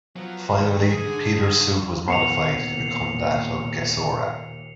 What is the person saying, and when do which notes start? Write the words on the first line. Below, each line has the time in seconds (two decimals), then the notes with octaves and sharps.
Finally, Peter's suit was modified to become that of Gesura.
0.16 F3 F#3 B3
0.60 D#3
0.89 G#4
1.04 D3
2.08 D#2 A#2 B3 C7 C#7 F7